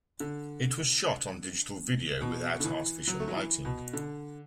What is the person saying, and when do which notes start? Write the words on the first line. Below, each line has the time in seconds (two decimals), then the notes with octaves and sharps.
It was shot on digital video without artificial lighting.
0.20 D3
2.21 B2
2.60 D3
2.64 E3
3.07 F#3
3.20 A3
3.28 F#3
3.36 E3
3.65 B2
3.93 D3